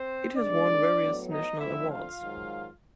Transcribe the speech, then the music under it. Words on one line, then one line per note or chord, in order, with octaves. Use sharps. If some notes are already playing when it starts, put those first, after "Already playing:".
It has won various national awards.
Already playing: C4 C5
C3 D#3 G#3 D4 D5
A2 F#3 B3
D#4 D#5
D3 F3 A3 C4 E4 E5
F4 F5
G#2 D#3 F#3